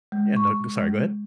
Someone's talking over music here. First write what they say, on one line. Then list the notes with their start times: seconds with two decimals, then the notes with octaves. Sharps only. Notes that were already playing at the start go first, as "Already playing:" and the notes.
yeah, no, g sorry, go ahead.
0.12 G#3
0.36 C#6
0.76 G#3